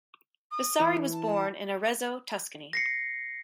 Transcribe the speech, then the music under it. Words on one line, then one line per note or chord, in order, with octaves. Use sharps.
Vasari was born in Arezzo, Tuscany.
D#6
E3
A5
A#6 C7 C#7